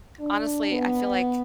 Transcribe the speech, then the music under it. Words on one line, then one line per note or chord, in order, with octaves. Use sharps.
honestly, I feel like k
D4
B3